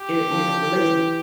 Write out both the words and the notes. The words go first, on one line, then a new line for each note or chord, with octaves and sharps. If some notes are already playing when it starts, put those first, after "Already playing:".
eh, you know, "relations,"
Already playing: G4
F3
E3